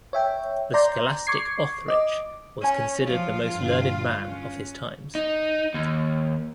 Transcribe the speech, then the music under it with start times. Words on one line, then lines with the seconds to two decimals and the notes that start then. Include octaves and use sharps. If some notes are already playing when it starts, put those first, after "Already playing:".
The scholastic Othrich was considered the most learned man of his times.
0.13 C#5 E5 G5
0.74 D5 A#5 C6 G6
1.27 C#6 D6 G#6 C7
1.88 D#5 D6
2.62 C#4 G#5 D#7
3.07 F3 F4
3.54 G2 D3
4.24 C#4 F#6
5.15 D#4
5.74 D#2